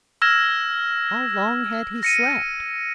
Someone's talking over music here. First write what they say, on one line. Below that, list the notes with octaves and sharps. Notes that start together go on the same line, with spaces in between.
How long had he slept?
E6 F6 G#6 A#6 E7
A#6 C#7 D#7